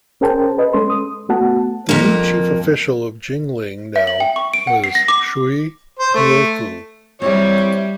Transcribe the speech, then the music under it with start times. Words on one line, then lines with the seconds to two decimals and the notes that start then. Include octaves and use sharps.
The new Chief Official of Jingling now was Cui Guofu.
0.21 C#4 G#4 A#4 C5 G5 A5
0.58 B4 D#5
0.73 G#3 C#4 A4 C6
0.90 D#6
1.29 A3 B3 F#4 F#5 A5
1.89 F2 A#3
3.96 E5
4.07 F#7
4.20 G5
4.36 C#6
4.54 D7
4.67 F#5
4.84 C7
4.95 A#6
5.08 D6
5.99 C5
6.15 A3
7.22 G3 C4 E4 G4 C#5